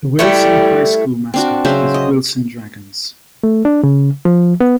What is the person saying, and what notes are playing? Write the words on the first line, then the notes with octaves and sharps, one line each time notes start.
The Wilson High School mascot is Wilson Dragons.
G3 A3 E4 A4
C4 D4 F#4
C#3 F#3 C5 E5
D#5
A3
D4
C#3
F3
B3